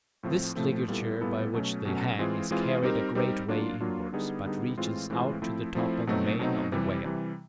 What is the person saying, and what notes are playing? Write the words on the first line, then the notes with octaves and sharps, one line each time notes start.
This ligature by which they hang is carried a great way inwards, but reaches out to the top of the mane of the Whale.
A2 F3 A3 C4
A2 F3 A3 C4
A#2 G3 B3 E4 A4
A#2 G3 B3 E4 A4
B2 F#3 A3 C#4
B2 F#3 A3 C#4
E3 G#3 C4 F4 G#4
E3 G#3 C4 F4 G#4
G3 C4 D#4 G4 A#4
G3 C4 D#4 G4 A#4
F#3 A#3 D4 F4
F#3 A#3 D4 F4
D3 G3 B3 D#4 G#4
D3 G3 B3 D#4 G#4
A2 E3 G#3 C4 F4
A2 E3 G#3 C4 F4
F3 A3 C4 E4
F3 A3 C4 E4
B2 F#3 A3 C4 D#4
B2 F#3 A3 C4 D#4
C3 E3 G3
C3 E3 G3